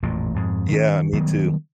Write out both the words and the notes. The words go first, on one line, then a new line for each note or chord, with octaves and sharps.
Yeah, me too.
A1 F2 A#2
F2 G#2
D#3 C#4
D#3 F#3 G3 B3